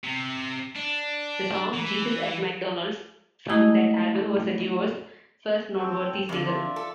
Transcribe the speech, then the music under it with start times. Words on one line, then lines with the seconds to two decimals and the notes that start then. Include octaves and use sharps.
The song "Jesus at McDonald's" from that album was the duo's first noteworthy single.
0.04 C3
0.76 D4
1.74 E3
3.50 G#3 A3 E4 D#5 D#6 G#6
5.78 C4 A4 G5
6.29 F2 D3 D5 E5 F5
6.45 F4 D5 E5
6.76 A4